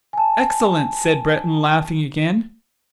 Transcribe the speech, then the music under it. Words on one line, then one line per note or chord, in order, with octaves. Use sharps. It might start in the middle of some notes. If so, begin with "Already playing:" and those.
"Excellent!" said Breton, laughing again.
G#5 A5